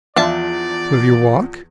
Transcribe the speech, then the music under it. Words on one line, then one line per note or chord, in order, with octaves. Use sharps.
"Will you walk?"
E2 F3 D4 F4 D5 E5 A5